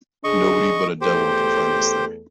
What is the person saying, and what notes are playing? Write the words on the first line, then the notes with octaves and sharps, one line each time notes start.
Nobody but a devil can find us there.
D3 D4 G#4 D#5 C#6
E2 A3 G4 A4 C5